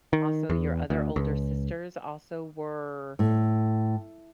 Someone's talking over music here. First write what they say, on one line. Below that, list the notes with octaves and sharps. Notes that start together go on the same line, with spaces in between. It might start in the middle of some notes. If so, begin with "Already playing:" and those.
also, your other older sisters also were
D#3
E2
D2
C#2
A2